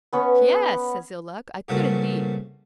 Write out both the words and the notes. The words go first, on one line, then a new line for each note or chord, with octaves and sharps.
"Yes," says Ill-Luck, "I could indeed."
B3 C#4 C#6
G2 A#2 C#3 A3 C4 F#4